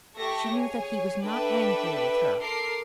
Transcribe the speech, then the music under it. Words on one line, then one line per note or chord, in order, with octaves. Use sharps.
She knew that he was not angry with her.
A3 G4 A4 E5 C#6 A#6
G#4 C#5 G#5
D4 A4 B4 D5 E5 G5
A4 A#4 C6 D6 C7